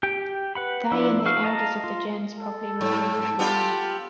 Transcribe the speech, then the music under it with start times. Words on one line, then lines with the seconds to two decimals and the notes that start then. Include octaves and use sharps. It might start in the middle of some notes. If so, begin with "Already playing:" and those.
They and the elders of the gens probably remained at Rome.
0.03 G4 G5
0.55 B4 F#5 B5
0.91 F3 D4 E4
1.26 F#4 F5
1.44 D#5 F5 A5 A#5
1.84 F4
2.37 A4
2.81 G#2
3.39 B3 F4 G4